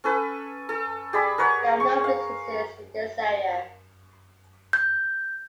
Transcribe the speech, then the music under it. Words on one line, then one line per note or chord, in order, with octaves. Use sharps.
There are no businesses in this area.
C#4 A4 B4
A4
G4 G#4 D5 B5
A#4 B4 C#5 F#5
C#6
F5
G6